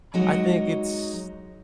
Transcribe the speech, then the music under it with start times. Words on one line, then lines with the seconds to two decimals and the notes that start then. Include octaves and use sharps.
I think it's
0.14 F#3 G#3 D#4 F#4